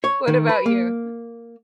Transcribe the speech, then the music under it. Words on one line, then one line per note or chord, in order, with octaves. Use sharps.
What about you?
C#5
D#3
B4
A#3